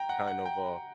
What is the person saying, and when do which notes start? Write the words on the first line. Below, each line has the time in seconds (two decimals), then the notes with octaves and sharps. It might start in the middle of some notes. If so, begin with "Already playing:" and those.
kind of, uh,
Already playing: G5 A#5
0.09 F#5
0.27 F#5
0.46 G5